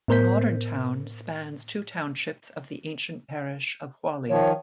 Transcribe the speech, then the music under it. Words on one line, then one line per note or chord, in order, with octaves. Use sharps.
The modern town spans two townships of the ancient parish of Whalley.
A2 B3 A#4 C5 G6 B6
D#3 F3 C#5